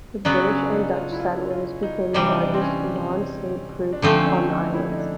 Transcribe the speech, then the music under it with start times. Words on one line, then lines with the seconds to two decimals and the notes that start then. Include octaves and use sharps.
The British and Dutch settlers became the largest non-slave groups on the islands.
0.25 C#3 F#3 B3 D4
0.49 C#4
0.65 D4
0.72 D#4
0.96 F4
1.12 E4
1.20 F4
1.50 F4
1.83 D#4
2.13 C3 E3 G3 D4
2.28 D#4
2.41 D4
2.54 C4
2.61 C#4
3.93 D4
4.02 D3 F3 A3 C4 C#4
4.19 C#4
4.26 D4
4.50 D#4
4.74 E4
4.92 D#4
4.98 D4